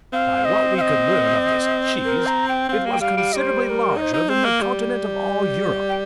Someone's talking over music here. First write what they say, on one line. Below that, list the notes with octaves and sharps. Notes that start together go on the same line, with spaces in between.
By what we could learn of this CHEESE, it was considerably larger than the continent of all Europe!
C4 F5
D#5
F5
D#5
A#4
A#5
G5
C4 F5 G5
A#3
G5
G3 F5
G3
G3 C5 D#5
C5
A#4
D#4 C5 D#5
D#4
C4
A#3
G3
G5